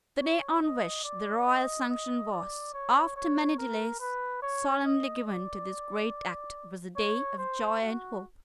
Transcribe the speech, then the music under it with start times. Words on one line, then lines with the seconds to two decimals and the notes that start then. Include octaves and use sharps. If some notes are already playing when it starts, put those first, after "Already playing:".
The day on which the royal sanction was, after many delays, solemnly given to this great Act, was a day of joy and hope.
0.20 C#5
0.63 D#5
1.04 D5
1.47 D#5
1.89 D#5
2.31 D5
2.74 C#5
3.16 C#5
3.58 A#4
4.00 B4
4.42 C#5
4.85 D#5
5.27 D5
6.96 C#5
7.38 C5
7.81 F#4